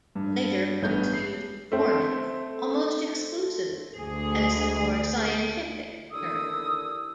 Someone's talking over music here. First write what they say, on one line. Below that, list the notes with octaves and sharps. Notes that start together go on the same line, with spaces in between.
Later books used 'Formic' almost exclusively, as the more 'scientific' term.
G2
A1 G2 B3 C#4 G6
C7
A3 C4
D2 G#4
D#2 D3 D4 E4 D#6 E6